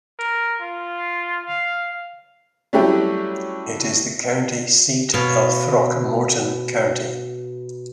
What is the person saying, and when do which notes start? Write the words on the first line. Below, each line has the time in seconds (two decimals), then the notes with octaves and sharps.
It is the county seat of Throckmorton County.
0.19 A#4
0.61 F4
1.46 F5
2.73 F#3 G3 A3 C#4 E4 G4
5.14 B2 C#5 F5